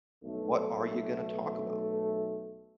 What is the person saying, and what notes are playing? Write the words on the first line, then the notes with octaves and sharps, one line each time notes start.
what are you gonna talk about?
B1 A3